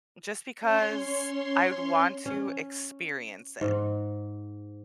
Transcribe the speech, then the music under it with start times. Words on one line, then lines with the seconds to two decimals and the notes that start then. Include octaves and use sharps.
just because I'd want to experience it.
0.61 C#4 C#5 C6
2.26 C#4
3.61 G#2